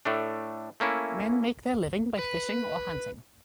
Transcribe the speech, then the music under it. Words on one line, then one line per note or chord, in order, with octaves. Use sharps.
Men make their living by fishing or hunting.
A2 A3 D4
A3 A#3 C#4 E4
B4